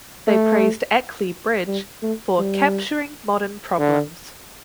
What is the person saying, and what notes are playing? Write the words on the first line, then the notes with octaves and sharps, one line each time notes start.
They praised "Ackley Bridge" for "capturing modern problems".
A3
G3
A3
G3
D3